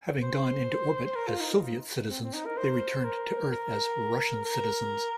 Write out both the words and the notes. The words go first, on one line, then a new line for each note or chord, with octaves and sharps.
Having gone into orbit as Soviet citizens, they returned to Earth as Russian citizens.
C5
C5
A#4
F4
D#4
C4
C4
D#4
A#4
C5
A#4
A#4
A#4